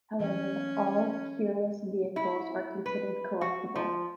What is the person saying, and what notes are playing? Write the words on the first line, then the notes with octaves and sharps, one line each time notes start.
However, all Peerless vehicles are considered collectible.
E3 F#3 C#4
E4
B4
F#4
F3